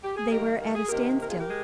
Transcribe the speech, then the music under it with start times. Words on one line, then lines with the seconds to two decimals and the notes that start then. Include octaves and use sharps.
They were at a standstill.
0.03 G4
0.16 G#4
0.31 D#3 G3 A#3 G4 A#4
0.60 A#4
0.75 G#4
0.88 C3 D#3 A#3 G4 A#4
1.23 A#4
1.30 F4 G#4
1.39 G4 A#4
1.49 G#3